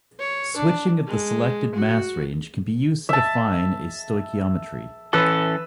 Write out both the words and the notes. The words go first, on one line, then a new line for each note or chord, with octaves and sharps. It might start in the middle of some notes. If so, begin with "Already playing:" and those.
Switching of the selected mass range can be used to define a stoichiometry.
C#5
D4
G#3
F#4
E5 A5
E3 C#4 A4 B4 E6